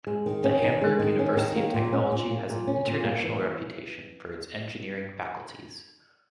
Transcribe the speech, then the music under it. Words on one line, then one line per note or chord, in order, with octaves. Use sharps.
The Hamburg University of Technology has an international reputation for its engineering faculties.
G#3
D#3
C#4
D#3
G#3
D#3
C#4
D#3
A#3
A#2
C#4
A#2
A#3
A#2
C#4
A#2
A#3
E3